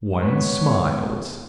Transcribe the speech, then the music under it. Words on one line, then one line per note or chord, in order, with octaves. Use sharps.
One smiles.
G#3 B3 B4 C#5